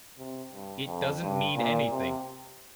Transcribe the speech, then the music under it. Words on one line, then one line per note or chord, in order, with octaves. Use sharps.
It doesn't mean anything.
C3
G2
F2
G2
A#2
C3